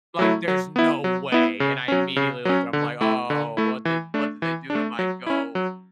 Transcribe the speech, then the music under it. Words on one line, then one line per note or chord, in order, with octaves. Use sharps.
Like, there's no way, and I immediately looked at him, I'm like, "Oh, what'd they what did they do to my goat?"
F#3 A3 E4
F#3
B3 E4
F#3
B3 E4
C#3
F#3 C#4
C#3
F#3 C#4
D3
A3 E4
D3
A3 E4
E3
A3 D4
E3
D4
A3
F#3
C#4 E4
F#3